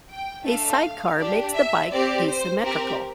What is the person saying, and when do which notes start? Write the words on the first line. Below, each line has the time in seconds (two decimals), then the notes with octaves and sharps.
A sidecar makes the bike asymmetrical.
0.10 G5
0.46 A3 D4 A4 F5
1.19 D4 G4
1.55 E5
1.91 C4 G4 D5
2.28 C5
2.64 C4 G4 A#4